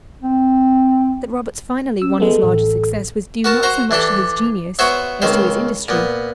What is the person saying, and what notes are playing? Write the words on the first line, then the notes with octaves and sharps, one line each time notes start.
That Roberts finally won his larger success was due not so much to his genius as to his industry.
C4
C#4 E6
G#3 A3 B3 A4
A1
F#4 A#4 A5
F#4 C5 A#5
E3 D4 G4 A4
B3 F#4 C5 C#5 E5 F#5
C#2 D#3 C4 C5
A#2 B3